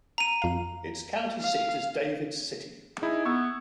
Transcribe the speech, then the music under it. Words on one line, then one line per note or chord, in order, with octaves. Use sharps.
Its county seat is David City.
A#5 D#7
F2 F5
F5
D#4 E4 G#4
B3 C#6 E6 G#6